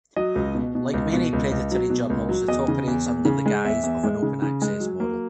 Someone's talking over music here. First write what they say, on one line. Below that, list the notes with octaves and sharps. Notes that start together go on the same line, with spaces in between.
Like many predatory journals it operates under the guise of an Open access model.
F#3 D#5
C#2
B2
B2
C#2
B2
C#2
C#2
F#3
B2
C#2
F#3
E2 D#5
C#3
E2
E2
C#3
G#3
E2 E5
E2
G#3
C#3
C#3
G#3
F#3
A#3